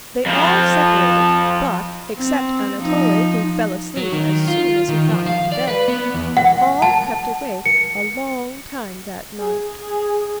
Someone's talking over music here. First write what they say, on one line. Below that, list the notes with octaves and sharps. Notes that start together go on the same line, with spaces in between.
They all separated, but, except Anatole who fell asleep as soon as he got into bed, all kept awake a long time that night.
F2 F3
C4
F3 D#4
F#3
D#3
F4
D#3
F3
F5
D5
B4
B3
E2
F#5
A5
C#7
G#4